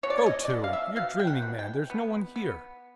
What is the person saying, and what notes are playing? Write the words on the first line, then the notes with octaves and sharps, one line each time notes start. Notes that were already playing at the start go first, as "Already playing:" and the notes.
'Go to!--you're dreaming, man!--there's no one here.'
B2 C#5
D5
C#5
D#5
D5
B2 D#5
F5
E5
B2 F5
G5
F#5
B2
G5
B3
B3